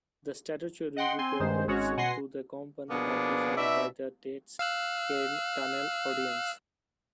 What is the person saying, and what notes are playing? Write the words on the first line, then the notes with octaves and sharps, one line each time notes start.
The statutory requirements to the Company are defined by the Tate's Cairn Tunnel Ordinance.
D#5 F#5 G5 C6
C4 G#5 C6
G2 D#3 G#3 C5
G#1 G#3 C#4 F#4 C#5
B2 F#5 G#5 C6 A#6 C7
B2 F3 A#3 B3 D4 G#4
B2 D#4 D5 E5
F5 E6 F#6